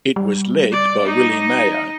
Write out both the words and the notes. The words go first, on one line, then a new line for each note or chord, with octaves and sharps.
It was led by Willie Meyer.
G3
D5
D#4